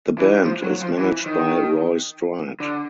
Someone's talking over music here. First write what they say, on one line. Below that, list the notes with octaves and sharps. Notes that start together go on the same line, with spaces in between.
The band is managed by Roy Stride.
E3
F3
F#3
F3
E3
D#3
D3